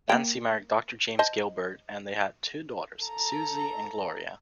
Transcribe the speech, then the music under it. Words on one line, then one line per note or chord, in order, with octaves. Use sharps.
Nancy married Doctor James Gilbert and they had two daughters, Susie and Gloria.
A#3 G5
C5 D#5 A5
A4 A#5